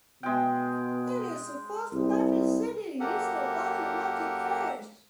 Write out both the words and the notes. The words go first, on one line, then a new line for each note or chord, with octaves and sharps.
It is the fourth-largest city in East Baton Rouge Parish.
B2 G#3 G5
C2
F#2 A#3 G4 A4 A#4 F#5